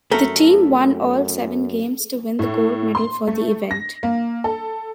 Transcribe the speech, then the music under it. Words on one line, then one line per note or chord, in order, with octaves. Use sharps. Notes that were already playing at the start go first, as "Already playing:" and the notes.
The team won all seven games to win the gold medal for the event.
F#2 A3 A4 A#4
A2
C6
A3
A#6
A#3
A4